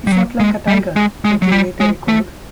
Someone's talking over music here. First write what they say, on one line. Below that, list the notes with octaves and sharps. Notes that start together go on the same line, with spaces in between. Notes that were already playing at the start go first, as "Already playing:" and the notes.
"He fought like a tiger," Riddle later recalled.
G3
F#3
G#3
G3
G#3
G#3
F#3
G3
G#3
A3